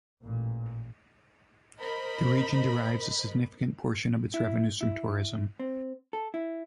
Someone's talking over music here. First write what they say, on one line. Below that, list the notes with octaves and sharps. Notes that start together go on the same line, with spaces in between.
The region derives a significant portion of its revenues from tourism.
A1 A#2
A#4 C5 D#5 B5
E4
E4
C4
A4
E4